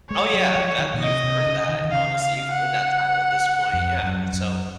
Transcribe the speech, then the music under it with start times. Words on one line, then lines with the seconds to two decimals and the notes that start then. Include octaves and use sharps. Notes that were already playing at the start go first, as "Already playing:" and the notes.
Oh, yeah, that you've earned that, honestly, you've earned that title at this point, yeah, so,
0.11 G#3 C#5
0.34 F#3
0.56 F3
0.79 D#3
0.94 A#2
1.01 C3 D#5
1.24 C3
1.46 C#3
1.69 D#3
1.85 D#3
1.91 C#3 F5
2.22 F5
2.52 F#5
3.73 F2
4.03 F#2
4.33 F#2